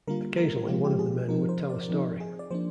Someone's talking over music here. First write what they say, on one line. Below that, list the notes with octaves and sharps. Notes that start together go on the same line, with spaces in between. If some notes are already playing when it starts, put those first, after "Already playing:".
Occasionally, one of the men would tell a story.
D3 G3 A#3 F4 A#4
A#4
F3 G#3 C4 F4 G4
G4
G#4
F3 C4 D#4 A#4
C5
D5
F3 C4 D#4
G#4
D5
F3 A#3 D4 C5